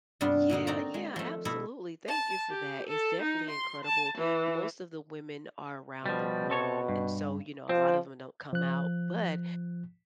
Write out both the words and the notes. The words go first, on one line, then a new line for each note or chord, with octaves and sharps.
Yeah, yeah, absolutely, thank you for that. It's definitely incredible, most of the women are around the world, and so, you know, a lot of them don't come out, but
G2 C3 G3 B3 D4 F4
A#2 D3 A#3 D#4
C4 D#4 F#4 D5 A#5
G#3
F3 A3
B2 A3 E4
A5
G4
A4
D#4
C6
A5
E3
B2 F3 G3
C4 A4 C#5
G2
F3 C4
F3 F#6